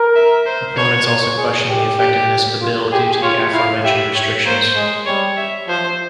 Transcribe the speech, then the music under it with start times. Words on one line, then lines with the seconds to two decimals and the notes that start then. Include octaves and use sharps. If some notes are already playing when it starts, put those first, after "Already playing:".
Opponents also question the effectiveness of the bill due to the aforementioned restrictions.
Already playing: A#4
0.15 E5
0.46 C5
0.76 C#5
1.38 G#4
1.69 G4
1.99 G4
2.61 F4
2.92 G4 G#4
3.22 F4 C#5
3.53 E4 F5
3.84 G4 E5
4.15 C#5
4.45 A#3 C5
4.76 G#3
5.06 G3 C#5
5.37 E5
5.68 F3 C5